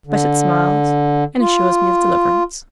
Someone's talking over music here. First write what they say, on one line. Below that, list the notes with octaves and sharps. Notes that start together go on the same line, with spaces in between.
But it smiles--it assures me of deliverance.'
D3
F4